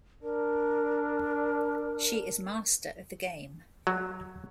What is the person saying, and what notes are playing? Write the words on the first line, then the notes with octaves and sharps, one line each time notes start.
She is master of the game.
D4 A#4
F#3